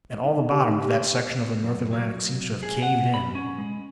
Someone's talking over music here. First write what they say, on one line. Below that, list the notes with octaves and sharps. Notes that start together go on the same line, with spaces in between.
And all the bottom of that section of the North Atlantic seems to have caved in.
D#4
G4
D#4
G4
F#2
F#3
G#4
F#5
B5
C#4
G#3